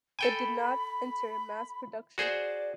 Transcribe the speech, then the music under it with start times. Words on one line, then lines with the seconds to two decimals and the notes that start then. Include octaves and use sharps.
It did not enter mass production.
0.19 A4 G5 G#5 B5
2.18 F#4 G#4 C5 D5